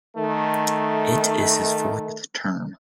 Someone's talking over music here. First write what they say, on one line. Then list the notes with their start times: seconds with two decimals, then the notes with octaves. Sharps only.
It is his fourth term.
0.17 D#3 A3